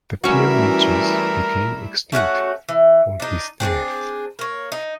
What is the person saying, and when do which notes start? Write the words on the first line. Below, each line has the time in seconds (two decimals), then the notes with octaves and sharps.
The peerages became extinct on his death.
0.24 E3 G3 A3 C#4 E4 F#4 A#4
2.12 A3 C#4 F#4 F#5
2.69 E3
3.20 D4 D#4
3.60 C4 D4 F#4 G#4
4.39 A#3 C#5
4.72 D#4